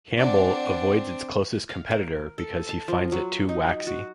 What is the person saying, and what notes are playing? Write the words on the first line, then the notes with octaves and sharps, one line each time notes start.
Campbell avoids its closest competitor because he finds it too waxy.
C4 D4 D5 F#5
F5
A#4
A4
A5
F3
F#3
D#4
F#4